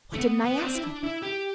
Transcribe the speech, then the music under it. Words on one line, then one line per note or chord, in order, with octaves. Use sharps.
Why didn't I ask him!
A3
B3
B3
D4
C4
E4
D4
E4
G4